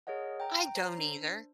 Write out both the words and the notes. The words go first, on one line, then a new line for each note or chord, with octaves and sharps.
I don't either.
G#4 A#4 C#5 D#5 F#5
G5 A#5
C5 C#5 A#5 A#6 C7
D4 C5